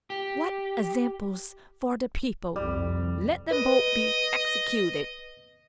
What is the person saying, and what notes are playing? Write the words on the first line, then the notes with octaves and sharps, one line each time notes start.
"What examples for the people! Let them both be executed."
G4
C2 F2 G3
B4 D#5